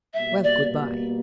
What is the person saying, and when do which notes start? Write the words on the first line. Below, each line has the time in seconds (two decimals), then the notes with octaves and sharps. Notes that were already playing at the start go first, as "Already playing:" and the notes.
Well, good-by.
0.13 B2 G3 A#3 E5
0.43 D5